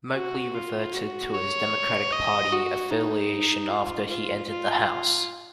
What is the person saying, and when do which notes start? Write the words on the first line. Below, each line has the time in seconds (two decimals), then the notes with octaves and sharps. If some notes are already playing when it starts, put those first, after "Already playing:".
Moakley reverted to his Democratic party affiliation after he entered the House.
0.16 F#4
0.55 F4
0.94 F#4
1.34 C#5
2.12 D#5
2.52 F#4
2.91 D#4
3.70 F4
4.09 F4
4.49 F4